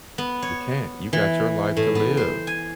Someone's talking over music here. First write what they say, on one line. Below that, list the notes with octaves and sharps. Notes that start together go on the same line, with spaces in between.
You can't. You got your life to live.
B3
C#5
E3
A2
B3
C5
G#5